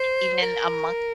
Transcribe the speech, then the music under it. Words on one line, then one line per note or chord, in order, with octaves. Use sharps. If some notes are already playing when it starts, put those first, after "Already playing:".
even in among
Already playing: C5
A#4